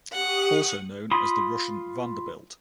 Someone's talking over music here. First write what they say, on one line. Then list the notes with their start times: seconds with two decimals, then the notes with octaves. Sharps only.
Also known as the Russian Vanderbilt.
0.13 G4 F#5 C#6 D#6
1.11 F4 B5 C6 D#6